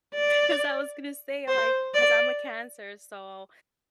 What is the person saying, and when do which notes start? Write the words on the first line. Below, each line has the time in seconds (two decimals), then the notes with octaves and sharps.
'Cause I was gonna say like cause I'm a Cancer, so
0.15 D5
1.48 C5
1.94 D5